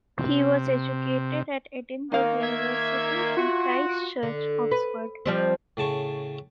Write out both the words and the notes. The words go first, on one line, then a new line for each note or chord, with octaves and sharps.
He was educated at Edinburgh University and Christ Church, Oxford.
C3
D#3 A#3 D#4 F5
E5 G#6
F4 F#4
D3
B4
F3 G3 C4
A2 C#3 A5 C#6